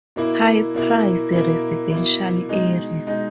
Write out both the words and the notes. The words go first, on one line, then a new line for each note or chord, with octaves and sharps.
High-priced residential area.
B2 A#3 E4
B2 A#3 E4
B2 A#3 E4
B2 A#3 E4
B2 G#3 D#4
B2 G#3 D#4